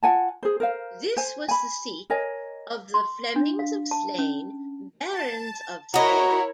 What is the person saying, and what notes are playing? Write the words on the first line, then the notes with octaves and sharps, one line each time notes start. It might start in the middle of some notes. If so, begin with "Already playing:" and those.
This was the seat of the Flemings of Slane, barons of Slane.
F4 F#5 G#5 A5
G#4 C5
A#4 C5 F5
C5 G#5
G#5 B5
A#4 C#5 D#5 G#5
C6
D4
F5
A5
C#4
A5
E4 F#4 A#4 C#5 D#5 A#5